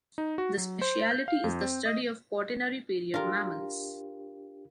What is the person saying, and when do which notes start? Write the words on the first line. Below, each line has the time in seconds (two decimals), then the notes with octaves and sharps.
The specialty is the study of quaternary Period mammals.
0.18 D#4
0.38 F#4
0.58 F#3
0.82 C5
1.11 G6
1.28 F5
1.44 F2
1.61 C4
1.86 D#5
3.14 D4 F4 G4 A#4